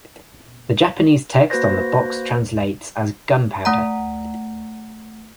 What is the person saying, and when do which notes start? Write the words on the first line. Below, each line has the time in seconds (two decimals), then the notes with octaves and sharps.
The Japanese text on the box translates as "gunpowder".
1.50 A#3 F#4 B4 C5 A#6
3.65 A3 F#5 A#5